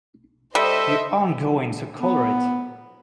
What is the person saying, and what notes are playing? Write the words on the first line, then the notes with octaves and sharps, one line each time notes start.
You aren't going to collar it!
G3 A4 C5 D#5 E5
B3